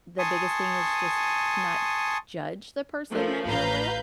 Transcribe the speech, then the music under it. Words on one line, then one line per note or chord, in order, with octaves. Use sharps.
the biggest thing is just to not judge the person that you're with,
G#5 A5 C6 C#6 D#6
F3 A3 A#4
A1 B4 F5 A#5 G6